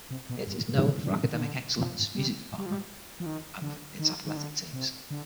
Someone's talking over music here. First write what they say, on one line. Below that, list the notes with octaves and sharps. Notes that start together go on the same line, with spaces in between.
It is known for academic excellence, music department, and its athletic teams.
C3
B2
G2
G#2
B2
D3
D#3
D3
F3
G3
G3
F3
G3
F3
D#3
D3
D#3
D#3
D3
C3
D3